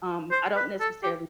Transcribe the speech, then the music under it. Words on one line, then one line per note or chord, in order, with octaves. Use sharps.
um, I don't necessarily
C5
B4
A4
G4